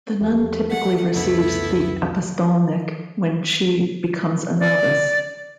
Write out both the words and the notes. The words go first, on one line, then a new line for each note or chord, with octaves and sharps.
The nun typically receives the apostolnik when she becomes a novice.
E2 F3 A3 G4
F#5 B6
C2 F2 C#3 B3 E4
D5